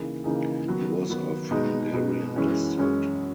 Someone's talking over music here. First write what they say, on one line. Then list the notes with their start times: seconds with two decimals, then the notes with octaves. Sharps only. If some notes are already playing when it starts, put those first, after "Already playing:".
He was of Hungarian descent.
Already playing: C#3 E3 A#3 D#4 G#4
0.24 C#3 E3 A#3 D#4 G#4
0.67 D#3 F#3 B3
1.09 D#3 F#3 B3
1.51 B2 G#3 B3 D#4
1.93 B2 G#3 B3 D#4
2.36 F#2 E3 G#3 C#4
2.78 F#2 E3 G#3 C#4